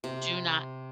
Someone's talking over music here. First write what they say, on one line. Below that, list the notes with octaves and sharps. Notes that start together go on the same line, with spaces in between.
do not
C3